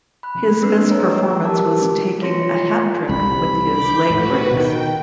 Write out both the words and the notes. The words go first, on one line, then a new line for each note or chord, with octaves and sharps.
His best performance was taking a hat-trick with his leg breaks.
B5 F#6
A#3 C4 D4 B4 E6 C7
C#5 D#5 A#5
E6
G4 A#4 A5 D6
F4 C#5 C6 A#6 C#7
C2 B5
D6 G6
A2 F#4 B4
B2 D#3 G5